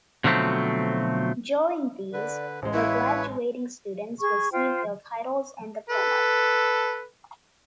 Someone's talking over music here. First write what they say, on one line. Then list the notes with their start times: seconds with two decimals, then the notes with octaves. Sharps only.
During these the graduating students receive their titles and diplomas.
0.24 B2 D3 F3 F#3 A3 C4
2.13 D3 B4 D5
2.62 A1 G#3 C5
2.73 E4 B4 C#5 F5
4.20 G#4 C#6
4.52 F4 C5 G5
5.90 A4 B4